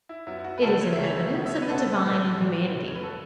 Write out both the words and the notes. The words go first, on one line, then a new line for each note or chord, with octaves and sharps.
It is an evidence of the divine in humanity.
E4
F#2 F#3 B3 E4
E4
F#4
B4
C#2 C#3 F#3 A3 A4
C#5
E5
C#2 C#3 F#3 A3
C#5
C#2 B2 B3
E5
C#5
B4
C#2 B2 B3 A4
B1 A2 E3 B3
B1 A2 E3 B3 F#4
F#1 F#2 F#3
C#5
B4
A4